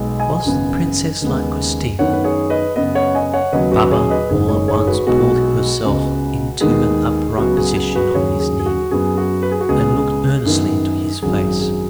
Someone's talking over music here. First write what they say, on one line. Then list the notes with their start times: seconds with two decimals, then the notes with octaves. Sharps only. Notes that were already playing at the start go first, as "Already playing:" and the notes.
"Was the princess like Christina?" Baba all at once pulled herself into an upright position on his knee, and looked earnestly into his face.
Already playing: B1 B2 G#3 B3
0.19 D#5 G#5
0.45 G#1 F#2 C#3 B3
1.22 D#2 C#3 G#3 B3
1.99 F#2 D#3 B3 C#5 F#5
2.13 B4
2.24 G#4 C#5
2.50 B4 D#5
2.76 F#2 C#3 B3 B4 D#5
2.95 C#5 F#5
3.15 D#5 G#5
3.33 C#5 F#5
3.53 D#2 C#3 F#3 B3 B4 D#5
3.72 F#4 B4
3.91 G#4 C#5
4.10 B4 D#5
4.30 F#1 F#2 D#3 G#3 G#4
4.48 G#4 C#5
4.68 G#4 C#5
4.87 F#4 B4
5.07 B1 B2 G#3 B3 F#4 B4
5.83 C#2 C#3 G#3 B3
6.60 D#2 D#3 G#3 B3 G#4
7.38 C#2 C#3 F#3 B3 F#4
7.57 G#4
7.76 G#4
7.95 F#4 B4
8.15 D#2 C#3 F#3 G#4 C#5
8.40 G#4
8.60 G#4
8.66 F#4
8.91 F#2 F#3 B3 G#4
9.17 F#4
9.43 B4
9.52 G#4
9.61 F#4
9.69 C#2 C#3 G#3 B3 G#4
10.45 F#2 D#3 B3
11.22 G#1 F#2 F#3 G#4
11.61 G#4